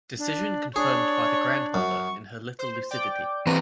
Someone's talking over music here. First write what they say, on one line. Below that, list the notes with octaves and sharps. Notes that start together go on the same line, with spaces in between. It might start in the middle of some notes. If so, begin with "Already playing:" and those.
Decision confirmed by the grandmother in her little lucidity.
D4
D4 G#4 C#5
F#2 C#6
C5
D5 G5 D6
E3 C4 B4 A#6